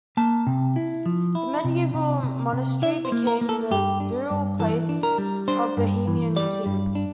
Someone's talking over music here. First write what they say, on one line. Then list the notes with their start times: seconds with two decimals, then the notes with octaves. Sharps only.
The medieval monastery became the burial place of Bohemian kings.
0.17 A#3 A5
0.47 C3
0.76 E4
1.06 F3
1.35 E4
1.64 C3
1.94 C3
2.23 C3
2.53 C3
2.82 E4 E5
3.05 C5
3.12 A#3
3.27 A#4
3.41 A#3
3.49 A4
3.71 G2 G4
4.00 D4
4.30 G2
4.59 E3 A4
4.89 D4
5.03 A#4
5.18 G3
5.48 D4 C5
5.77 G2
6.07 E3
6.36 G3 D5
6.66 G2
6.95 D4